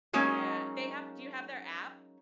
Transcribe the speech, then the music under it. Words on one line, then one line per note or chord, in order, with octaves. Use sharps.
yeah, they have do you have their app?
F#3 G#3 A#3 C#4 D#4